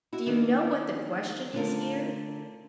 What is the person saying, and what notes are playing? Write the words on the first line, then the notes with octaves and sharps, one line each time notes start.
Do you know what the question is here?
E4 F#4
D#3 A#3 D4
D3 A3 B3 F4 A4 A#4